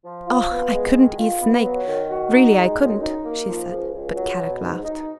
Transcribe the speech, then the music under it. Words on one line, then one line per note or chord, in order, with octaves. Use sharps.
"Oh, I couldn't eat snake, really, I couldn't," she said, but Kadok laughed.
F3
F4
B3
G#3
D#3
F4
B3
F#3
D#3
F#4
D#4
G#3
F#2
D#4
A#3
F3
C#2
C#2
F#3
B2
G#2
D#4